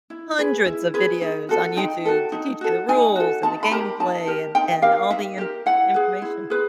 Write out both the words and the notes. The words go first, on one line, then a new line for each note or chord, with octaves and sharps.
hundreds of videos on YouTube to teach you the rules, and the gameplay, and and all the in information
E4
G#4 B4
E4
G#4 B4
D#4
F#4 A4
D#4 G5
F#4 A4
D#4
F#4 A4
D#4 G#5
F#4 A4
D#4 A5
B5
G4 A#4 A#5
D#4 A5
G4 A#4
D#4 G5
G4 A#4 F5
D#4 E5
G4 A#4
E4 F#5
G#4 B4
E4
G#4 B4